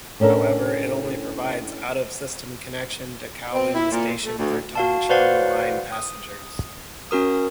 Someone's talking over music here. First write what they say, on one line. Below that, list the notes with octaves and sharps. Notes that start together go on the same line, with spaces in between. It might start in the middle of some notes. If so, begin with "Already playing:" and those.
However, it only provides out-of-system connection to Kowloon Station for Tung Chung Line passengers.
A2 C#4 D4 A4 A#4
C4
E4
A#2
A3
D2
F#4 F5 A5
F#4 B4 C5 D5 F5 F#5
D#6
C#4 F#4 A#4 D#6